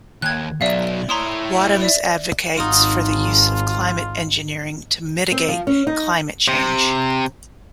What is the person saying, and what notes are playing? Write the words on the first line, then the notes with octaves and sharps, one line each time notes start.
Wadhams advocates for the use of climate engineering to mitigate climate change.
D#2 F#6 G#6
B1 F#3 D5 E5 F5
E4 C#5 A#5 C6 D#6
D5 E5
G#1 D#4 F4 F#4
C4
F3
C#4
D#4
C3